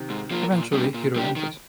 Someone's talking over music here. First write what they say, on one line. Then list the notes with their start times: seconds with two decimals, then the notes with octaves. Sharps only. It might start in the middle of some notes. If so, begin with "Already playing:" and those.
Eventually he relented.
Already playing: C3 D#3
0.10 G#2
0.31 F3 A#3 F4 A#4
0.52 A#2
0.73 G3 A#3 D4 G4
0.94 A#2
1.16 G3 A#3 D4 G4
1.36 D#3